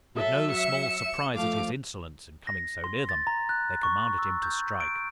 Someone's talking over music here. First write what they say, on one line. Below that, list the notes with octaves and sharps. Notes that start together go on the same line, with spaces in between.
With no small surprise at his insolence in coming so near them, they commanded him to strike.
F#3 A4 E5
C#7 E7
F3 A3 F5 D6
A#6
C6
A6
A#5
F#6
C#6
E6
G6
D7